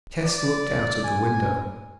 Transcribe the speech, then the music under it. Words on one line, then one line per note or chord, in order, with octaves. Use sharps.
Tess looked out of the window.
D5
G#5